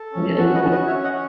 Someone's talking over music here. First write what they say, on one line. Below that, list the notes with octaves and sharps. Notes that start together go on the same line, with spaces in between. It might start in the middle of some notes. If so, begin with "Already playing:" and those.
And able.
Already playing: A4
C#4
F#4 A5 C#6
B4 D#5
C#4
B4 D#5
C#4 C#5 E5
D#5 F#5
C#4